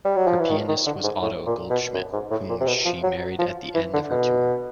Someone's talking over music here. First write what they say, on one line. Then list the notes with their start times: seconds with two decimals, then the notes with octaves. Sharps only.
Her pianist was Otto Goldschmidt, whom she married at the end of her tour.
0.05 G3
0.16 F#3
0.27 F3
0.39 E3
0.50 D#3
0.69 D#3
0.86 D3
1.04 G#2
1.22 A2
1.46 A#2
1.70 B2
1.94 F#2
2.13 G#2
2.31 A2
2.49 A#2
2.61 C3
2.67 B2
2.85 F3
3.03 F#3
3.39 F3
3.75 E3
3.93 D3
4.11 B2